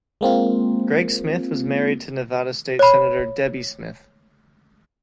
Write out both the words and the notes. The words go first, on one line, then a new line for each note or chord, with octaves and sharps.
Greg Smith was married to Nevada state senator Debbie Smith.
G#3 A#3 C4 F4
C#5 B5